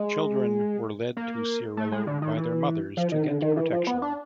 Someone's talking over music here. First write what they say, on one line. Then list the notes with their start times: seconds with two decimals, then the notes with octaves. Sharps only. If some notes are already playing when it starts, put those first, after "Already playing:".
Children were led to Ciarallo by their mothers to get protection.
Already playing: G#3
1.17 A#3
1.77 A3
1.92 G#3
2.07 D3
2.22 D#3
2.37 E3
2.97 F3
3.12 D#3
3.27 D3
3.42 D#3
3.57 E3
3.72 F3
3.87 B3
4.02 D4